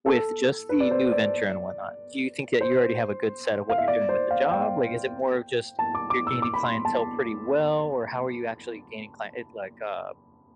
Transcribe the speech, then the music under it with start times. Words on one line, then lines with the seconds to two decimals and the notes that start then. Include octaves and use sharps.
With just the new venture and whatnot, do you think that you already have a good set of what you're doing with the job, like, is it more of just, you're gaining clientele pretty well, or how are you actually gaining client it's like, uh
0.06 A4
0.69 B4
0.80 D5
0.91 C5
1.12 D5
2.61 C5
3.70 F5
3.78 E5
3.88 D5
4.09 C5
4.31 F5
4.51 G5
5.79 A5
5.95 D6
6.10 D6
6.27 E6
6.42 D6
6.54 B5
6.64 C6
6.85 A5